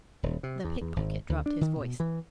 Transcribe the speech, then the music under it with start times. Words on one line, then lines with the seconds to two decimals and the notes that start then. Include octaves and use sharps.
The pick-pocket dropped his voice.
0.23 D#1
0.43 C3
0.64 E2
0.81 E2
0.96 G#1
1.29 D2
1.46 D4
1.61 D#3
1.80 B2
2.00 E3